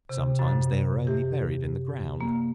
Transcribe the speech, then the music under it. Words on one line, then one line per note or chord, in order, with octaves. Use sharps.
Sometimes they are only buried in the ground.
C3
F#2
G4
A#3